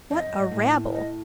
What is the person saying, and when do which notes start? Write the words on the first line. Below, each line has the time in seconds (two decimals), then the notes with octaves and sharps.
What a rabble!
0.11 F2 D#5
0.25 F#2
0.38 G#2
0.51 A2
0.93 D#5